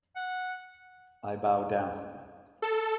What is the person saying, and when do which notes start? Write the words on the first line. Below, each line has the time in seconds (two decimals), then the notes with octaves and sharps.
I bow down"".
0.16 F#5
2.62 A4